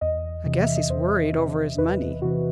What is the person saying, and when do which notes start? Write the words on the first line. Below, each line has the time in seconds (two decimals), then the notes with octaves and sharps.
"I guess he is worried over his money."
0.01 E2 D#5
0.45 C3 E3
0.62 E5
0.76 D#5
0.89 E2 C5
1.33 C3 E3
1.78 E2 B4
2.22 C3 E3 F#4